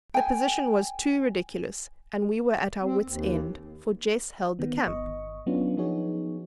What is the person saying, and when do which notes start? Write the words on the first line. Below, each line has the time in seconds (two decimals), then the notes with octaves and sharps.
The position was too ridiculous, and we were at our wits' end; for Jess held the camp.
0.14 G5 G#5
2.83 C4
3.04 D#2
4.59 D#3 B3
4.87 G1 D#5 C#6
5.46 F#3 B3 C#4 D4 F4
5.77 F3 B3 D#4 F#4 G#4 C#5